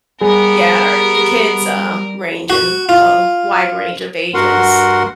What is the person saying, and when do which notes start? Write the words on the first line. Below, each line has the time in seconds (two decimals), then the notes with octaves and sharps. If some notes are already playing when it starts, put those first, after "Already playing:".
Yeah, our the kids, uh, range in a wide range of ages.
0.21 G3 B3 G#4 A#4
2.50 F#4
2.89 F4
4.34 G2 F#4 A#4 F#5 C6